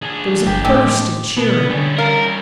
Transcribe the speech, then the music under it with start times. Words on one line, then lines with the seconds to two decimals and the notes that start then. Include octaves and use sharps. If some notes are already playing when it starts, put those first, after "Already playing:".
There was a burst of cheering.
0.02 D4 G#4
0.47 G1 G4
0.64 A2 G#3 C4 G4
1.37 B2 B3
1.70 D3 G3 C#4
1.98 A#4 F5